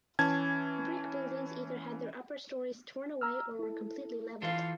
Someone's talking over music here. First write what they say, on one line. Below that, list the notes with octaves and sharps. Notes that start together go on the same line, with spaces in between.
Brick buildings either had their upper stories torn away or were completely leveled.
E3 C#4 A5 G#6
A#5 E6 F6
E4 A4
E3 F4 A4 F5